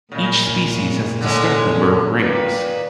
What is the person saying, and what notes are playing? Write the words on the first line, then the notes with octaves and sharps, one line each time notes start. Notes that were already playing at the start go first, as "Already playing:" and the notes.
Each species has a distinct number of rings.
A#2 C#3 G#3
D3 G#3 C#4
A#2 D#3 B4